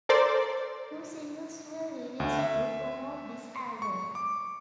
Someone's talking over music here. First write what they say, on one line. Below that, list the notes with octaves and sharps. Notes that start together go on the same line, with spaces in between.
Two singles were released to promote this album.
A4 A#4 C5 D5
D2
E5
C#6
D6